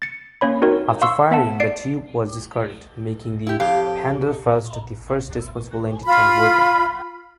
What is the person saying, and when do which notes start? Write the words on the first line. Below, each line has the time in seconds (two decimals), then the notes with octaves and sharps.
After firing, the tube was discarded, making the "Panzerfaust" the first disposable anti-tank weapon.
0.02 A6 C#7
0.41 A#3 C#4 C#5 B5
0.62 C4 D#4 F#4 A#4 C#5
1.02 F5 C6 C#6 E6
1.31 B3 E5 F#5 A5
1.60 D5 C7 D7
3.47 E4 G4
3.60 F2 G4 F5
6.05 F4 B5